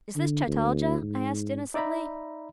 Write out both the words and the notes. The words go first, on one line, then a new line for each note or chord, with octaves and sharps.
'Is this Chataldja?' I asked innocently.
D3
D2
G#2
D#4 D5 E5 A#5 B5